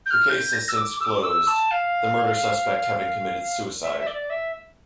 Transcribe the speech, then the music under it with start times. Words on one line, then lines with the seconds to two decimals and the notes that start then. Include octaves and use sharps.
The case has since closed, the murder suspect having committed suicide.
0.05 G6
0.10 F6
0.29 G6
0.52 A#6
0.68 E6
0.76 D6
1.00 E6
1.04 D6
1.23 E6
1.47 A5
1.70 F5
3.82 E5
3.98 E5
4.06 D5
4.29 E5